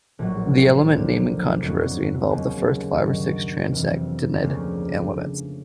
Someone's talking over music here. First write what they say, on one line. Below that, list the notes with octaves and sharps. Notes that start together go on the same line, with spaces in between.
The element naming controversy involved the first five or six transactinide elements.
A#1 A2 F#3
D2 D3 F3 A#3
F2 D3 F#3 B3 D#4
D#2 C#3 F#3
G2 D#3 F#3
F2 C3 E3
D2 C#3 F3 A#3